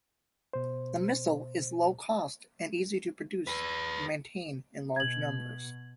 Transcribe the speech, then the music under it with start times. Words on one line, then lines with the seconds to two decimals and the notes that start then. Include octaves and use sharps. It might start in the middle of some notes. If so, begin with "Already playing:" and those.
The missile is low cost and easy to produce and maintain in large numbers.
0.53 B2 C5
3.47 G#4 B4
4.96 B2 G#6 F#7